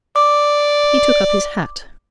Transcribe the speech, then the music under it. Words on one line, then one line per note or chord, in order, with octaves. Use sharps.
He took up his hat.
D5 D6